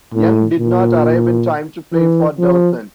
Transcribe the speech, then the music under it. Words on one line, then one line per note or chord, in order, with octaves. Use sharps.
Young did not arrive in time to play for Dawson.
A2
A#2
E3
F3